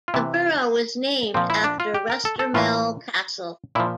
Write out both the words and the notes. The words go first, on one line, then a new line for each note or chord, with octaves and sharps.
The borough was named after Restormel Castle.
F4
C3 E3 E4
A#2 F3 C4
E4
D4
F4
G4
A#4
A4
A4
A2 E3 F4
A#2 F3 E4